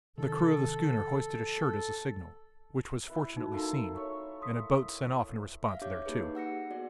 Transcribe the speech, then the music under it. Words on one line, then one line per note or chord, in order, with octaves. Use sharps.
The crew of the schooner hoisted a shirt as a signal, which was fortunately seen, and a boat sent off in response thereto.
C3 D#3 D4 A4
E4 B4 E5
D#4 F#4
A#3 A4 C6
C#5 E5 C#6
C6 D#6 B6
E5 F5
D4 G4 C#5 D6 G6
A#3 D#4 G4 G#4 B4
F#5 E6 A#6 C#7
B3 F#4 G#4 D5